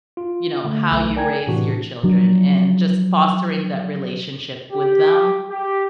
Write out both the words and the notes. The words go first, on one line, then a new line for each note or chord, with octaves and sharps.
you know, how you raise your children, and just fostering that relationship with them,
F4
D3 A3
B1 A3
A#4 D5 G5 G#5 A#5 G#6
A2 C3 E3 D4 F#4
F3 F#3 D4
G4
G4